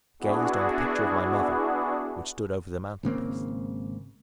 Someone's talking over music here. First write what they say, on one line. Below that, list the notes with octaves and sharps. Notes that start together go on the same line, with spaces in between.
I gazed on the picture of my mother, which stood over the mantel-piece.
B3 D4 E4 F#4 G#4
G#1 C#3 A#3 C4